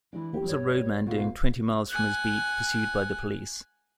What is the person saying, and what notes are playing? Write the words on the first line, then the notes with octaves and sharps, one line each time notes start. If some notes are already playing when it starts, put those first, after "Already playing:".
What was a roadman doing twenty miles from his beat, pursued by the police?
E3 G#3 D4 E4
G4
G2 G3 C#5 D5
B2 A3 F4 F5
F#5 G#5